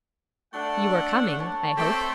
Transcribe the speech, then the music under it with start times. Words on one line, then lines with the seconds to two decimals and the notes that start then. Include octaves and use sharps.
'You are coming, I hope?'
0.54 A3 D4 A4 F#5
1.39 C#5 A5
1.77 A3 C4 G4